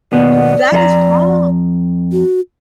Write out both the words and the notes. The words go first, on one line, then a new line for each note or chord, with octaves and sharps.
that is wrong.
D#2 B2 B3 D5
F2 A4 A#5
F#4